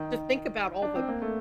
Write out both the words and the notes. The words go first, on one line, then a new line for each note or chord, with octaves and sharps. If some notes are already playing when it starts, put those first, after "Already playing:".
to think about all the,
Already playing: D#3
D4
C4
A#3
A3